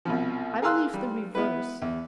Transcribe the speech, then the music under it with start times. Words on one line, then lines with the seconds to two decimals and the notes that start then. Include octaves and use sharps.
I believe the reverse.
0.05 C2 B2 F3
0.62 G#4 A#4 F5 C6 E6 F#6
0.94 G3
1.35 B3 E4 B4
1.82 E2